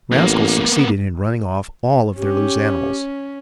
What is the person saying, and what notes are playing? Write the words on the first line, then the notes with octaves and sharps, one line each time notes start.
The rascals succeeded in running off all of their loose animals.
A1 A#3 B3
C#4 G4